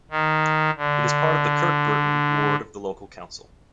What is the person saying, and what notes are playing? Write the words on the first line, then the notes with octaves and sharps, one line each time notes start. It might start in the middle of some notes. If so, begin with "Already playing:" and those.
It is part of the Kirkburton ward of the local council.
D#3
D3